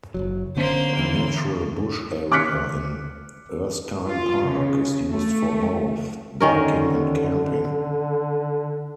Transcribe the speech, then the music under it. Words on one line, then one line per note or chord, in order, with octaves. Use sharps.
A natural bush area in Erskine Park is used for both biking and camping.
F#1 D#2 F#3
D3 A#3 B3 C#4 C5 C6
E3
D6 F6 F#6 B6 C#7
F4
C#3
A3
D3 D#3 C#4 A#4